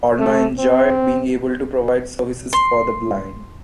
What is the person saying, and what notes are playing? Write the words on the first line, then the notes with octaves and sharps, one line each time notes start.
Horner enjoyed being able to provide services for the blind.
A3
C4
C6